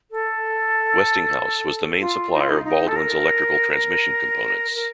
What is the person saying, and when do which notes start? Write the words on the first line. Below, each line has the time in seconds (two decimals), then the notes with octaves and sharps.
Westinghouse was the main supplier of Baldwin's electrical transmission components.
0.11 A4
2.00 F4
2.32 D#4
2.41 F4
2.49 D#4
2.64 D#4
2.87 A4
2.95 A#4
4.75 A#4